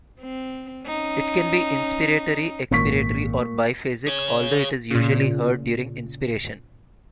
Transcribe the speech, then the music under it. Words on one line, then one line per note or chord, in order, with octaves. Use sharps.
It can be inspiratory, expiratory or biphasic, although it is usually heard during inspiration.
C4
C#4 D#4
G#1 A#2 C#6 B6
G#4 C#5
A#2 C#3